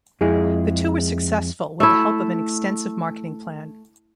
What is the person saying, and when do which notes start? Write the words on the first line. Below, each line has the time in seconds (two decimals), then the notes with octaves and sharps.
The two were successful with the help of an extensive marketing plan.
0.21 F2 G#3 E4 G#4
1.80 A3 E4